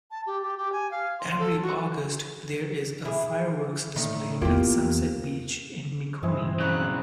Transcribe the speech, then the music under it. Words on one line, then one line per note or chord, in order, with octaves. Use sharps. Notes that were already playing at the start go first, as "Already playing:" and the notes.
Every August there is a fireworks display at Sunset Beach in Mikuni.
A5
G4
G4
G4
G#5
F5
C6
A4
F#4
E4 G#4
A2 D#3 D#4
E2 A#3 E4 F4 G4
G2 E3 F#3 G#3 C4 E4
B1 C#3 A#5 B5 C#6 F#6